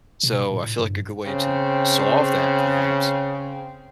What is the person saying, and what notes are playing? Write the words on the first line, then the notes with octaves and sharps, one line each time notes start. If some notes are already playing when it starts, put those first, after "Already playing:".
So, I feel like a good way to solve that perhaps,
B2
A2
G2
C#3 C4